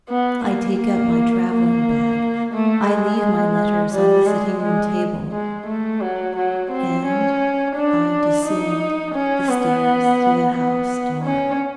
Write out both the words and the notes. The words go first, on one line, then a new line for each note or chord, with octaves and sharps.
I take up my traveling-bag; I leave my letters on the sitting-room table; and I descend the stairs to the house door.
B3
A#3
A#3
A#3
A3
G#3
G3
G#3
G#3
G#3
A3
F#3
F#3
C4
C#4
D4
D#4
C#4
B3
B3
C#4